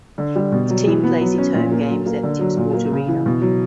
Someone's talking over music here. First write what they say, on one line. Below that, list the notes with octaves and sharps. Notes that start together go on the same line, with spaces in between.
The team plays its home games at Tipsport Arena.
D3
G3
B2
F#3
E3
B3
F#3
C#4
A#2
A#3
F#3
A#3
D3
F#3
A#2
A#3
C#3
E3
B2
F#3